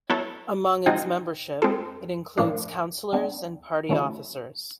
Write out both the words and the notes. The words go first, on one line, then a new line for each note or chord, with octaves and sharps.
Among its membership, it includes councillors and party officers.
F#3 B3 E4 A4 C#5
F3 G#3 C4 D#4 F#4
G#3 C4 F4 A4
A2 F3 A#3 D4
G3 B3 D4
D#3 F#3 A3 C#4 E4